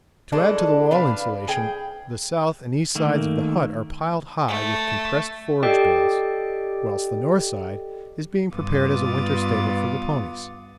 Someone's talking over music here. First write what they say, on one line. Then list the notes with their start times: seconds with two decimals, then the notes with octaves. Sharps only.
To add to the wall insulation the south and east sides of the hut are piled high with compressed forage bales, whilst the north side is being prepared as a winter stable for the ponies.
0.32 E3 G#3 A3 D4
0.91 D4 B4 F5
1.48 G#4 G5
2.95 D#3 A3 A#3
4.48 A3
5.63 G4 A4 D5 D#5 G5
8.52 G2 B3 F4 D6 D#6 A6